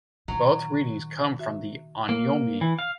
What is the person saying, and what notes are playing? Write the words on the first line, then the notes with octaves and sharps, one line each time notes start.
Both readings come from the on'yomi.
A#2 D#3 F#3
F#4 E5
A#3
E3
F5